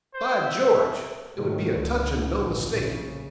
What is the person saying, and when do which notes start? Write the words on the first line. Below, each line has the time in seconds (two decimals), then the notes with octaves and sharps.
'By George! it would be a touch, and no mistake.
0.14 C5
0.45 E5
1.36 G#2 B2 D#3 F#3 A3
1.75 C#2 D3
2.44 A1 D2 G2
2.76 A#1 C#3